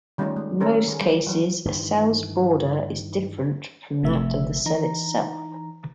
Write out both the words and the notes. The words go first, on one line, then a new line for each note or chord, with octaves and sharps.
In most cases, a cell's border is different from that of the cell itself.
D#3 G3 A3 C#4 D#4 F4
G#3
D#3 G3 C#4 A4 A#4 C5
D#3 G#4
G3
E3 F#3
G2 D#3 E3
G1 C3 F3 A3 E5
E3 D#4 A#5